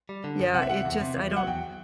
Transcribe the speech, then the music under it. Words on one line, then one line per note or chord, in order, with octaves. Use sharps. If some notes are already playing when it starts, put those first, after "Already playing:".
Yeah, it just I don't
G3
D3
F#2
C3 F#5
E5
C3 F#5
E2
C3
E2
F#3
F#5
E2 G5